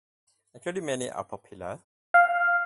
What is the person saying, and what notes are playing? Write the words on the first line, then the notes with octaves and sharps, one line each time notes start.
Including many are popular.
F5